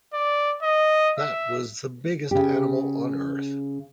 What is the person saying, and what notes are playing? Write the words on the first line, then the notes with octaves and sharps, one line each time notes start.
That was the biggest animal on earth.
D5
D#5
E5
C#3 G4